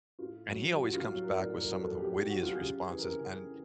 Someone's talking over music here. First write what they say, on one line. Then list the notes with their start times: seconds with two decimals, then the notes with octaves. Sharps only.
and he always comes back with some of the wittiest responses, and
0.19 A2 F4
0.49 F#3
0.72 G4
0.78 A2 F#4
0.93 F4
1.09 F#3
1.24 A#4
1.39 A2 D5
1.58 A#4
1.68 F#3
1.79 A4
1.98 A2 G4
2.13 G4
2.29 F#3 F#4
2.43 F4
2.53 G#4
2.59 C#3 G4
2.79 G#4
2.89 E3
2.98 A#4
3.19 C#3 G#4
3.49 E3